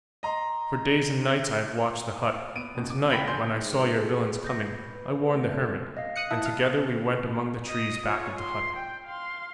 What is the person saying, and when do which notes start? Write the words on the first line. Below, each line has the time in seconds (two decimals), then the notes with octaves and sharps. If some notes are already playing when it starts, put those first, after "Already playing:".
For days and nights I have watched the hut, and tonight, when I saw your villains coming, I warned the hermit, and together we went among the trees back of the hut.
0.23 D#5 A#5 C6
2.56 B3 D7 D#7
2.75 F#1 B2
2.90 D6
3.10 G5 B5 A#6 B6 D7 G7
3.27 G#5 C6 G6
3.59 G#2
3.95 G#4 A4
4.44 B4 G6 A#6
5.32 A3
5.97 D#5 F5
6.16 D#6 F#6 C#7
6.31 E4 A5 D#6 F#6
6.46 F5
7.67 D#5 D#6
8.07 F4 C#5
8.38 C6
8.76 G5
9.05 F5 C6